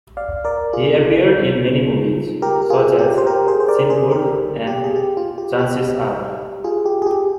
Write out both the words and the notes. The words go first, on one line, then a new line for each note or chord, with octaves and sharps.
He appeared in many movies, such as "Silkwood" and "Chances Are".
D5 F5
A#4 D5
F4 G#4
G4 A#4
A#4
F4 G#4
G4
C5
G4 A#4
G#4 C5
C5
A#4 D5
G#4 C5
G4 A#4
G4
G#4
G4
F4
G4
G4
F4 G#4
G4
G#4
G4